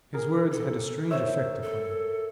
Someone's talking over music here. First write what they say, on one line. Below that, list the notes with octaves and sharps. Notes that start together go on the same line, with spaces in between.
His words had a strange effect upon me.
G#4 A#4
A4
C5 C#5 E5
A4